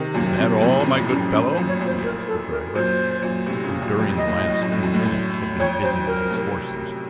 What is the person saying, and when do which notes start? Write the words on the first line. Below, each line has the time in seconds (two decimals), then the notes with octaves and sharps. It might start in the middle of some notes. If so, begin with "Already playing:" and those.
"Is that all, my good fellow?" he asked the driver, who during the last few minutes had been busy with his horses.
Already playing: C3 D#3
0.14 F#2 A#2 A#3
0.38 F#2 A#2 C4
0.62 F2 A2 C4
0.80 F#2
0.86 C4
0.97 F2 A2
1.09 C#4
1.16 F#2
1.33 F2 A2 C#4
1.51 C5
1.57 F#2 A#2
1.68 C#5
1.81 F#2 A#2
1.86 C5
2.04 A#4
2.28 A4
2.52 A#4
2.75 F#2 A#2 C5
3.22 F#2 A#2
3.46 A2 C3
3.64 A#2 C#3
3.82 F#2 A#2
3.99 F2 A2
4.17 F#2 D#5
4.28 A2
4.39 F#2
4.50 A2
4.62 F#2
4.72 A2
4.83 F#2
4.94 A2
5.05 F#2
5.60 F2 C#5
5.83 F#2 C5
6.07 F#2 A#4
6.31 A2 C3